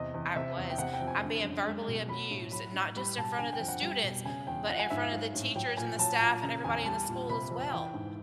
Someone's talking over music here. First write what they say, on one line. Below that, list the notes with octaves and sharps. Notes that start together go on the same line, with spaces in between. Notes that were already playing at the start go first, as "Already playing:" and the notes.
I was. "I'm being verbally abused, not just in front of the students, but in front of the teachers and the staff and everybody in the school as well,"
Already playing: E2 C3 D#5
E2
C3 E5
E2
G5
C3 F#5
G5
F2
G#5
D3
F#2
G#3
B2
F#3 B5
A2
F#3 B5
A2
G3 B5
B2 A5
D3 G#5
G5
F2
F#5
G3 G5
B2
C#3 G#5
E2 G5
F3 F#5
G#5
G#2 E5
F5
F#3
A2
F#3 G5
A#2 G#5
F#3 A5
A#2
C#3 A#5
E2 G#5
G3 A5
A#2
C3 B5
F2
E3 G5
G#2